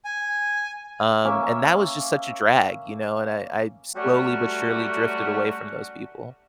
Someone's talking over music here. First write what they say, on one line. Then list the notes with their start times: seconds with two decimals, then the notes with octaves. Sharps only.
Um, and that was just such a drag, you know, and I I slowly but surely drifted away from those people.
0.05 G#5
1.25 A#3 C#4 E5
3.95 F#3 G3 A3 C#4 F#4 G4